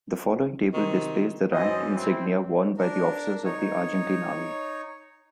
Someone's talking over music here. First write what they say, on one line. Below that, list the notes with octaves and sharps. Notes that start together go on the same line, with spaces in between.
The following table displays the rank insignia worn by officers of the Argentine Army.
C3 D#3
F#2 E3 C4 D#5
C4 E4
D4 A#4
D#4 C#5